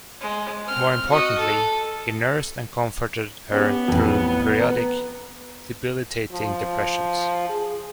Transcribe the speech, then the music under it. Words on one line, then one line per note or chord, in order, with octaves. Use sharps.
More importantly, he nursed and comforted her through periodic debilitating depressions.
G#3
C4 F6
F#4 D#5
A4
B3 C#4 G4
A1 F2
B4 A#5
F3
G#4